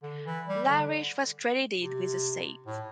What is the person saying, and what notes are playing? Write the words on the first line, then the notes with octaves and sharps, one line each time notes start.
Larish was credited with the save.
D3
E3
G3
D3
C3
A2